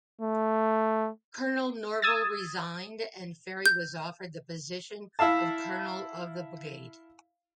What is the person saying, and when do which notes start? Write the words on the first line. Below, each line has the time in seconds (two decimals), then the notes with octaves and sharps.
Colonel Norvell resigned and Ferry was offered the position of Colonel of the Brigade.
0.21 A3
2.02 D#6 E6 G#6 A6
3.66 G6
5.19 E4 E5 F5 A5